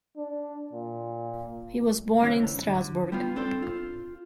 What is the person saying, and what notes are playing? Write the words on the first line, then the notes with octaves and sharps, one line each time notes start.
He was born in Strasbourg.
D4
A#2
G#2 D3 E3 C#4
D3
G3 B3 F4
C4 D4 A4 C5
F4